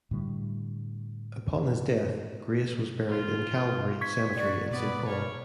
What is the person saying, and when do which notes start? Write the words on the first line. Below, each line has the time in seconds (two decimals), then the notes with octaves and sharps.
Upon his death, Grace was buried in Calvary Cemetery in Saint Paul.
0.11 A2 D3 G3
3.09 F4
4.01 C#6 G#6 B6
4.35 F#4 D5
4.71 B2 B3 B4 D5
5.07 A#4 C#5